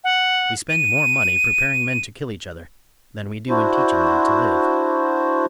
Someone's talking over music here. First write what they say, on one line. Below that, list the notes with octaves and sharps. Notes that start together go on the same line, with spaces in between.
We spend more money preparing men to kill each other than we do in teaching them to live.
F#5
D#7
D4 E4 F#4 C5